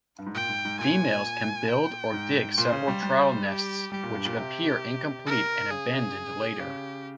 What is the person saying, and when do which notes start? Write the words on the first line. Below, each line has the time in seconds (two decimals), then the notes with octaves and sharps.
Females can build or dig several trial nests which appear incomplete and abandoned later.
0.18 G2
0.26 G#2
0.34 A#2 G5
0.49 G#2
0.65 G#2
0.79 A#2 G#5
1.68 G5
2.13 G#2
2.57 A#2 C5
2.73 C#3
2.88 G3
3.03 G3
3.48 G4
3.92 G3 G4
4.03 A#2
4.14 G2
4.25 A#2
4.36 C3
5.26 A#4
5.70 C#3 G#4
6.60 C#3 G4